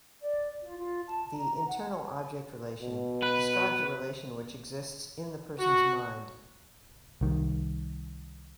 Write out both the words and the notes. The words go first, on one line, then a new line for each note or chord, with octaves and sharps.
The internal object relation describes a relation which exists in the person's mind.
D5
F4
F4
A5
A#5
F#5
B2
B4
F#4
C2 D#3